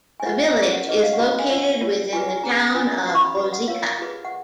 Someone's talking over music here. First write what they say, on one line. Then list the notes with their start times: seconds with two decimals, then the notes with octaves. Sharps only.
The village is located within the Town of Wauzeka.
0.20 G#5
0.26 F4 B4 F#5
0.58 C#4 G#4 B4
0.73 F#5
0.88 D#4 G#4 B4 D#5
1.03 F5
1.13 F#5
1.20 F#4 B4 F5
1.39 G#5
1.50 C#4 F4 A#4 C#5 F#5
1.81 F4 A#4 C#5
2.13 F4 G#4 B4 G#5
2.29 G#5
2.43 C#4 G#4 B4 A#5
2.75 C#4 F4 B4 G#5
3.06 F#4 B4 F#5
3.15 C#6
3.21 B5
3.37 F#4 B4
3.53 F#5
3.68 F4 A#4 C#5 F5
3.99 F4 G#4 B4
4.25 F#5